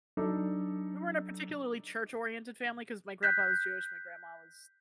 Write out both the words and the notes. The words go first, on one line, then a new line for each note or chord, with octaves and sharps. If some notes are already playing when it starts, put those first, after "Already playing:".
We weren't a particularly church-oriented family 'cause my grandpa was Jewish, my grandma was
F#3 D4 D#4 A4
F#6 G6 B6